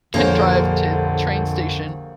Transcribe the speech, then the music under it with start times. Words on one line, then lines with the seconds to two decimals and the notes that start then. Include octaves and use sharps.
can drive to the train station
0.14 A#1 F2 D3 A#3 G4 G#4 C5 C#5